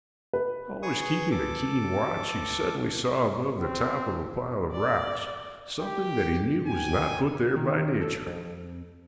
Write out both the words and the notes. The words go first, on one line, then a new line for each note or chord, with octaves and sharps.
Always keeping a keen watch, he suddenly saw above the top of a pile of rocks something that he knew was not put there by nature.
B4
G#4 C#6 D#6
A4 D6
C4
D5
G4
G5 G#5
D#3
A4
F2